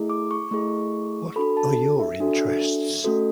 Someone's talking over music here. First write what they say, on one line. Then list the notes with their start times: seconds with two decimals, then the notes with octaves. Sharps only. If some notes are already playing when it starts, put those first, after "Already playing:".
What are your interests?
Already playing: A3 E4 G#4
0.10 D6
0.31 C#6
0.51 A3 E4 G#4 C#6
1.36 D4 F#4 A4 B5
1.57 A5
1.99 E5
2.20 D4 F#4 A4
3.04 A3 C#4 F#4 A4